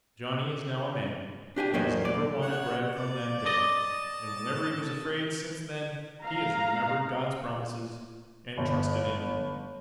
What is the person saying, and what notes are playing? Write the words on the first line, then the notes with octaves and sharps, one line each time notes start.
Johnny is now a man, but he has never wanted bread from that day; and whenever he was afraid since then, he has remembered God's promises, and trusted in him.
D4 G4 G5 G#5
E2 F#3 A#3 C5 D#5
D5
C#5 F#5
D5
D5 D#5 A5 D#6
F5 A#5
G1